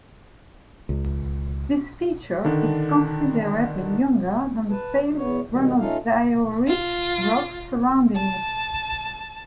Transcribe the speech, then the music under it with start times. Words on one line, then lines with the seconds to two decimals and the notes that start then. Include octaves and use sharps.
This feature is considerably younger than the pale granodiorite rock surrounding it.
0.89 C#2
2.45 D3 D#3 D4
4.70 B4 A5
5.17 E2 B3 C#5
5.49 B2 D#3 G3
5.80 A3 C#4 D#4 F4 A4 F5
6.68 F4
8.15 A5